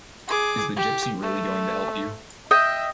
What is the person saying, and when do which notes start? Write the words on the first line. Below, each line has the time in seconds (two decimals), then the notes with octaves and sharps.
Is the gypsy really going to help you?
0.28 G#4 D6
0.77 G4
1.22 A3
2.51 D#5 E5 G5